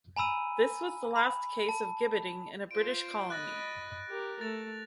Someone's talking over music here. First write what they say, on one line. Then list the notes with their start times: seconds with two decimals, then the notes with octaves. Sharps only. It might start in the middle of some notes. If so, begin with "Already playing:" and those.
This was the last case of gibbeting in a British colony.
0.16 G#5 A#5 B5 E6 D#7
1.16 B5
1.69 A5
2.71 F4 C5 D7
3.30 D#5 B5 F#6 A6 A#6
4.08 G4 A#4
4.41 A3 A6 F7